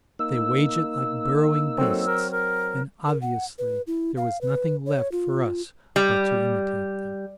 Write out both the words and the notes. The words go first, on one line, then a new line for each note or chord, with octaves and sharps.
They wage it like burrowing beasts, and obviously there was nothing left for us but to imitate them.
A#3 D#4 E6
F#3 C4 A4
A#4
A#4
A#4
F#5
B4
E4
F5
B4
C#5
F4
G3